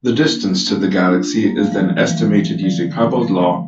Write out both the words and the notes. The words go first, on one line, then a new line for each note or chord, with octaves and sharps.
The distance to the galaxy is then estimated using Hubble's Law.
C#4 E4
A#3 D4
A3 C#4
D4 F4
G3 A#3
F3 A3
E3 G3
E3 G3
F3 A3
E3 G3
D3 F3
G3
D3 F3
F3 A3
F3 A3